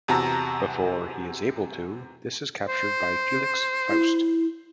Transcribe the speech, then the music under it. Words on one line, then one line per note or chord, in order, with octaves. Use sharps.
Before he is able to, his is captured by Felix Faust.
E2 C3 F#4 A5 A#5 E6
C5
E4